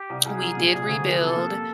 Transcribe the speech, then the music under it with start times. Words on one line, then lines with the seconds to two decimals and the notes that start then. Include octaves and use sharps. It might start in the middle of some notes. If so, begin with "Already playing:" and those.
we did rebuild
Already playing: G4
0.10 C2
0.25 C2 G#4
0.41 F#3
0.57 A#2
0.73 C2
0.88 D2
1.04 F3
1.20 C3 A4
1.36 A#3